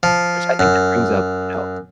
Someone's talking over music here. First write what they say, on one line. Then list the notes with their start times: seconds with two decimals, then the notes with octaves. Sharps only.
which I think that brings up, you know,
0.03 F3
0.59 F#2